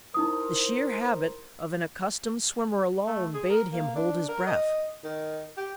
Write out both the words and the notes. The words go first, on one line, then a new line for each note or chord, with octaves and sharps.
The sheer habit of an accustomed swimmer alone bade him hold his breath.
D#4 E4 A#4 C5 D#6
A3
G#4
A#4
A#3
D4
A#4
D#5
D#3
G4